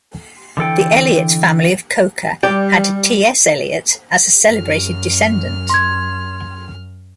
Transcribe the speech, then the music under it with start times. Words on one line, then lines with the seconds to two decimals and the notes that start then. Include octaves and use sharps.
The Elyot family of Coker had T. S. Eliot as a celebrated descendant.
0.57 D3 E3 A4 G5
2.43 G3 G4 D5 G5
4.49 F#2 F6
5.70 C6 G#6